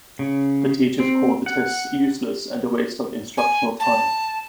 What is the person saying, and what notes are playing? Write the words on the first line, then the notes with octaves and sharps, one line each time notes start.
The teachers called the tests useless and a waste of instructional time.
C#3
C4
F#5
G#5
A5